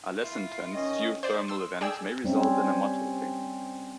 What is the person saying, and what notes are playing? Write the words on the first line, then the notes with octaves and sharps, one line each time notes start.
A less intense geothermal event may result in a mud volcano.
E4 F4
D#3 C#4 D#5
C5 D5
C6 E6
G#4 D5 G5 G#5 E6
G3 C4 C#4